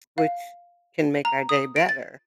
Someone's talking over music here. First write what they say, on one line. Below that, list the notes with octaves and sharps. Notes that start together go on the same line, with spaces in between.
which can make our day better,
F5
A#5
D#6
D7
A6